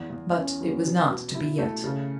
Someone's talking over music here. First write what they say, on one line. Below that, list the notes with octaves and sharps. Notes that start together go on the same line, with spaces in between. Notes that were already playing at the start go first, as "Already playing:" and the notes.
But it was not to be yet.
Already playing: E2
E2
C#4
E3
B2
B2
E4
A3
C#3